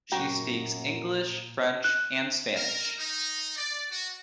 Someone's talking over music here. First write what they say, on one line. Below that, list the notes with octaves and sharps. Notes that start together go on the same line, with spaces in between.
She speaks English, French and Spanish.
F#2 A#2 F#4 G5 A#5
F#6
A#4
D#4
D5
F#4